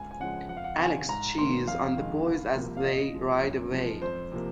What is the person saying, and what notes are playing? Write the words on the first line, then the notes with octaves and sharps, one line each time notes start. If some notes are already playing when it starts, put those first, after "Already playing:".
Alex cheers on the boys as they ride away.
Already playing: C#2 G#5
G#5
C#3 F3 G#3 F#5
F2 F#5
F5
F#5
C3 D#3 G#5
G#2 A#5
D#3 A#3 C6
F2 F5
D#3 G#3
C2
C3 F3 A#3
F5
A#2 D#5
F3 G#3
F#2
F3 G#3
F2 C5
C3 F3 A#3